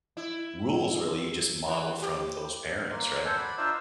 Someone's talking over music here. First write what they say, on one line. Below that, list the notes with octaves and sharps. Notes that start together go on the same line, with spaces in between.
rules, really, you just model from those parents, right?
E4
E3
G4
A#3 C6
A4 C5 F#5 G#5
D5 B5
D4 D#4 F4 C5 D5 E5